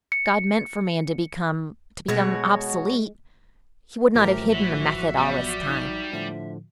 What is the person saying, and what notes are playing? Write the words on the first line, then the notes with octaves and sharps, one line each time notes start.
If God meant for man to become--to become obsolete, He would not have hidden the method all this time.
C#7
B2 G#3 F#4 C#5
A1 F3 F#3 A3 G4 A#4
E3 F#4 E5
G3 B3
D#4
A2 D3 F3 E5